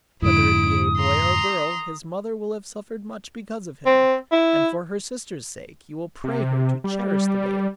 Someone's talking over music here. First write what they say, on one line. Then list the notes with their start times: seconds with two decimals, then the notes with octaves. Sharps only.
Whether it be a boy or girl his mother will have suffered much because of him, and for her sister's sake you will pray her to cherish the babe.
0.22 F2 G#2 D3 E4 D#6 D7
0.97 A#5 C6
3.86 C4
4.32 E4
6.24 C3
6.84 G3